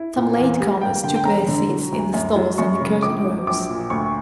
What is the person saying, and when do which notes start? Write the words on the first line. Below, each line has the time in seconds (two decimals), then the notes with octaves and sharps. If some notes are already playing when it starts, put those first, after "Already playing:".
Some latecomers took their seats in the stalls, and the curtain rose.
Already playing: E4
0.16 A#2
0.37 E2
0.60 G3
0.81 A#3 G5
1.04 D3 G5
1.15 G5
1.25 E1 A#5
1.48 D3
1.70 F#3
1.92 D2
2.14 F#2
2.36 F#3
2.58 F#2 C#6
2.80 C#3
3.02 A#1 D6
3.24 F#3
3.47 A#1 D6
3.69 A#2
3.90 D2 C#6